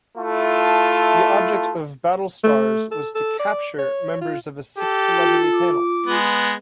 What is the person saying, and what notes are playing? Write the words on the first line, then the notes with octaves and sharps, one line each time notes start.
The object of "Battlestars" was to "capture" members of a six-celebrity panel.
A3 E4 F4 A5
A3
A4
A4
D5
C#5
F4
G4 A4
F4
D6
G#3 B3